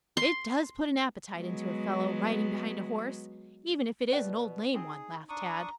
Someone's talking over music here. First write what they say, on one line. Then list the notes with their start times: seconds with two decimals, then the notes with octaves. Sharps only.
"It does put an appetite into a fellow, riding behind a horse, even if it is an old lame one," laughed Tad.
0.17 C6
1.35 F#3 G#3 B3
4.12 B2 B4 D5 G5
4.74 C4 D#4 G#4
5.29 D4 A#5 C#6 D#6